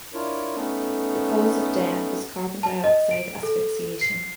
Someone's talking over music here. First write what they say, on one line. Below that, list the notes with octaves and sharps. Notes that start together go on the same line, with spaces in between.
The cause of death was carbon dioxide asphyxiation.
D4 E4 F4 A#4 C#5
A3 B3 C#4 D#4 A4
A5
D#5
D7
A4
C7